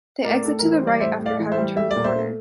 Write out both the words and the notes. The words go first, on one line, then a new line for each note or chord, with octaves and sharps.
They exit to the right after having turned the corner.
A2 A#4 D5
A2 A4
E3 A#4
C5
G3 D5
A2 C5 E5
A2
D5 F5
E3
C5 E5
G3
A3 E5
D5
A#2
C5 E5
A3